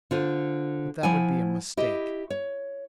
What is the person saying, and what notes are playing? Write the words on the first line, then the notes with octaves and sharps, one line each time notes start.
But that would be a mistake.
D3 F4 C5
F3 E4 F#5 G#5
E4 G4 D#5
C#5